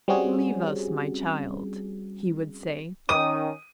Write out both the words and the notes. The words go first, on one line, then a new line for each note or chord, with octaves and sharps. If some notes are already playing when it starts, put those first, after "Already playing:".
"Leave us, my child," he would say.
G3 C4 C#4 F#4 G#4
D#3 C#4 D#6 D#7